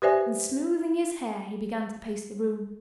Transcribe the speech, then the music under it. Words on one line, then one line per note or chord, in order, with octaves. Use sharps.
And smoothing his hair he began to pace the room.
G4 B4 C5 D5 E5 G#5